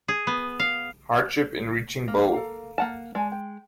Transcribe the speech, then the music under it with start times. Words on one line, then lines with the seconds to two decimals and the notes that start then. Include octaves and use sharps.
Hardship in reaching Bo.
0.08 G#4
0.27 B3
0.60 F5
2.08 A#3
2.32 A4 F5 A#5
2.78 A#3 F#5 A5
3.15 G#3 D5 G#5 A5
3.32 G5